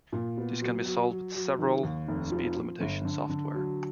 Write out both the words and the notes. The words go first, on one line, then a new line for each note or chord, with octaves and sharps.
This can be solved with several speed limitation software.
A#2
B3
F#3
F#3
F#3
F#3
D#3
D#2
F1
F3
F3
G1
D3
D3
F#3